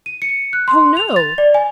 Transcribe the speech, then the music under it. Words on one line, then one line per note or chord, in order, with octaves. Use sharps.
"Oh no!"
D#7
C#7
F#6
C6
F7
A6
D5
G#5